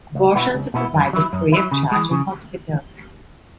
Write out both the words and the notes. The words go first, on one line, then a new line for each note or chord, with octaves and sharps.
Abortions are provided free-of-charge in hospitals.
C#2
B2 B3 E4
C#2
B2 B3 E4
F#2
F#3 E4
F#2
F#3 E4
C#3
E3 G#3
C#3